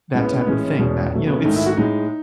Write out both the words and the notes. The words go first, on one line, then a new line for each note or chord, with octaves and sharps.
that type of thing, that, you know, it's
A2 G#3 C#4
B3
C#4
B3
A2 E3 G#3 C#4
C#4
E2 B2 G#3
B2 F#3 A3
B3
C#4
G#2 D#3 A3 D#4
E4
F#4
A2 G#3 D#4